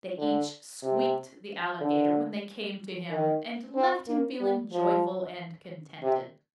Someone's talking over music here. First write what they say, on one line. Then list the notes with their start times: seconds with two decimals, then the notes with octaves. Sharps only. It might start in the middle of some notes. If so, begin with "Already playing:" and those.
They each squeaked the Alligator when they came to him, and left him feeling joyful and contented.
0.18 D3
0.83 C3
1.81 D3
3.10 D#3
3.75 C4
4.08 A#3
4.40 G3
4.73 F3
6.03 C3